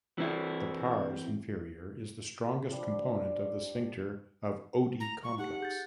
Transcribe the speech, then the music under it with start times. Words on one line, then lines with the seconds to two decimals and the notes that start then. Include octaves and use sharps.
The pars inferior is the strongest component of the sphincter of Oddi complex.
0.18 E3 C4 E4
2.69 F3 G3 D4
5.00 A#5
5.23 C#6
5.38 D#4 G4 F#5
5.60 G#4 G6 A6